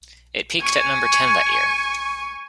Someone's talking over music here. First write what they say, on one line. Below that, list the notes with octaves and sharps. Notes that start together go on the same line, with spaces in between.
It peaked at number ten that year.
G#5 C#6